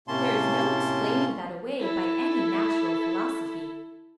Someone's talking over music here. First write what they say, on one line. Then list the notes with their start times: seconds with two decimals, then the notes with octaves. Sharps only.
There is no explaining that away by any natural philosophy.
0.08 A2 C3 A#3 C#4 A5 C6
1.79 E4 A4